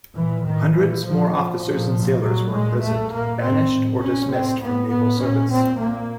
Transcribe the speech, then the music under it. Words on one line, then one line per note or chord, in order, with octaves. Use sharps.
Hundreds more officers and sailors were imprisoned, banished or dismissed from naval service.
A#2 E3
A2 D#3
A#2 E3
A#2 F3
A#2 F3
A#2
A#2
A#2 F#3
A#2 G#3
A#2 A3
A#2 A#3
A2 C4
A2
A#2 C#4
A2 C4
A2 B3
A2 B3
A#2 C#4
A#2 C4
A#2 A#3